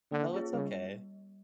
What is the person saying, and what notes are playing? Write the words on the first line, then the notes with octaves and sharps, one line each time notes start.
no, it's okay.
D3 A#3
C#4 F4 G#4 C#5
C#3 G3